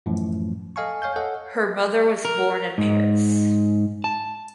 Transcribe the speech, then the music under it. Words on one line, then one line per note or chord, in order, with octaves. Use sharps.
Her mother was born in Paris.
F#2 A2 E3 F3
A4 D#5 F5 G#5 A5 C#6
C#5 F5 G#5 G6
A4 C#5 D#5 F#5
A#4
G#2
A5